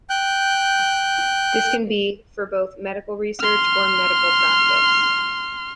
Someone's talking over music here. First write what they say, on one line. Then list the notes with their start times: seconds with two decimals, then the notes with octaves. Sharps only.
This can be for both medical research or medical practice.
0.10 G5 F#6 G6
3.40 C6 F6